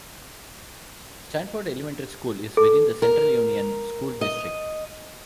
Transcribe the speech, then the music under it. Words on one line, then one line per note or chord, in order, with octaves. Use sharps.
Stratford Elementary School is within the Central Union School District.
A4
A#4
D#5